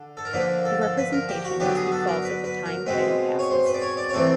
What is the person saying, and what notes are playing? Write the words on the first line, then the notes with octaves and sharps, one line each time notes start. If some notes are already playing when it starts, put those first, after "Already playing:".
The representation must be false at the time title passes.
Already playing: D3
A4
A#4
D3 F3 A#3 B4
A4
A4
B4
A#4
G4
F#4
D3 F#3 B3 G4
G#4
A4
A#4
B4
B4
A#4
B2 G#3 C4 B4
C#5
C5
B4
D5
C#5
D5
C#5
C3 E3 A3 C4 D5